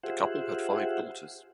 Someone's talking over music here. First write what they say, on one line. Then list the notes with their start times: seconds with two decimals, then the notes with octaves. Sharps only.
The couple had five daughters.
0.03 F4 G4 G#4 C5 E5 F#5